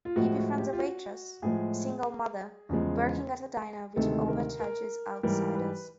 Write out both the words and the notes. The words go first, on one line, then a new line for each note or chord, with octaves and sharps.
He befriends a waitress, a single mother, working at a diner which overcharges outsiders.
F4
A2 F3 G#3 F#4
F#4
G4
F4
F#4
A2 F3 G#3 G#4
E2 C#3 F3 G#3
D2 C3 D#3 G#3 A4
A#4
A#4
G#2 E3 G3 A#4
B4